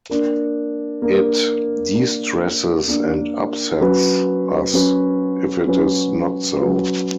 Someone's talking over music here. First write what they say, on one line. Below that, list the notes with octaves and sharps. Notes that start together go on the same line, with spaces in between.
It distresses and upsets us if it is not so.
A#3 D4 A#4
A#3 D4 A#4
A#3 D4 A#4
A#3 D4 A#4
F#3 C#4 F#4 B4
F#3 C#4 F#4 B4
F#3 C#4 F#4 B4
F#3 C#4 F#4 B4